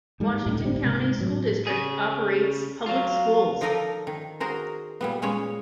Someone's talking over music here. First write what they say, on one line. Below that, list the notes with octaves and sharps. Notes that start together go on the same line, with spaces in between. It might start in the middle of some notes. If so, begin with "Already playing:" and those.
Washington County School District operates public schools.
G#2 G3
D2 A2
G1 G3 C4
G#2 C3
A2 F#3
C#3 G#4
F#3 F4 F5
F3 D#4 A4 A#4 D5 D#5
D#3
F#4 G#4 A#4 C5
A#2 G3 B3
A#2 G#3 C#4 C#5